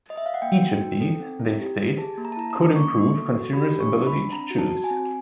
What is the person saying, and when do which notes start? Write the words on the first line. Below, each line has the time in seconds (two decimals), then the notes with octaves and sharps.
Each of these, they state, could improve consumers' ability to choose.
0.10 D#5
0.17 E5
0.26 F5
0.34 F#5
0.42 A#3 G5
0.62 F#4
0.81 D#4
1.00 A4
1.20 C4
1.39 E4
1.59 G4
1.79 G4
1.98 G#4 A5
2.18 A#3
2.25 A#5
2.32 A5
2.37 E4 A#5
2.50 A#5
2.57 C#4
2.66 D6
2.76 A#3 C#6
2.96 A#3
3.15 A4
3.34 F#4
3.53 G4 B5
3.74 D4
3.80 C#6
3.93 D4
4.06 B5
4.13 D4
4.32 C4 A#5
4.51 F#4
4.58 A5
4.71 F#4
4.84 G#5
4.91 C4